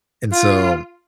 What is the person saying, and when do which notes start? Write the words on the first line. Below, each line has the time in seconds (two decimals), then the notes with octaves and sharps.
And so
0.32 F4